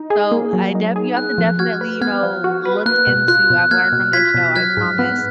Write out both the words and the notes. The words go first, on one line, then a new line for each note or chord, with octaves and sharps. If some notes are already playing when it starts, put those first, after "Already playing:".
So, I def you have to definitely, you know, look into I've learned from this show, I promise
Already playing: D#4
G#4
A#3
F#3
D#4
G#4
B3 F#6
F3
F#4 F6 G#6
B4
B3 F6 G#6
F3
F#4
B4
A#3 F#6
B2
F4 F#6
B2
A#3 F6 G#6
B2
F4 G#6 B6
B2
F#3 F6 G#6
G#2
B3 F#6